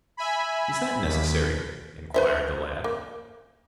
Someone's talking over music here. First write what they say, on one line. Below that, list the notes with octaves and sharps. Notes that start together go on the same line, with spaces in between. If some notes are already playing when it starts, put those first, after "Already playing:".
"Is that necessary?" inquired the lad.
E5 G#5 B5
D#2 B6
B4 C5 E5
A#3